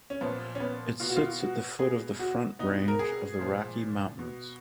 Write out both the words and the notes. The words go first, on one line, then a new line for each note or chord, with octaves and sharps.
It sits at the foot of the Front Range of the Rocky Mountains.
C#4
A#2 F3 B3
C#4
B3
B2 F4
F#4
F4
F#4
B2 G#4
F#4
B2 D#4
A#4
G#4
A#2 F3
B2